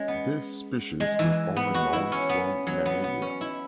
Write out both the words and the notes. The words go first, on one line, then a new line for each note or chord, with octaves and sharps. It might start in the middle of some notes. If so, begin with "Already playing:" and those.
This species is only known from Namibia.
Already playing: G#3 C#4
B3
G#3
E3
B3
F#4
E4
C#4
B3
F#3
B3
B3
C#4
E4